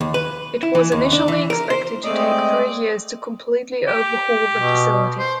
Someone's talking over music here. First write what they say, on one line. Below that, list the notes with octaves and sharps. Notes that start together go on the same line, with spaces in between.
It was initially expected to take three years to completely overhaul the facility.
D#2
B4
E4
E3
D#2
D4
E3
A#4
C5
G#3 A3 C4 D5 D#5
G4
B2
C5